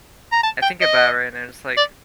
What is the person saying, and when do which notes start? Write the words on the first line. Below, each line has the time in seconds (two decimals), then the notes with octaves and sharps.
I think about it right now, and it's, like,
0.32 A#5
0.43 A5
0.62 G5
0.81 D#5
1.77 D5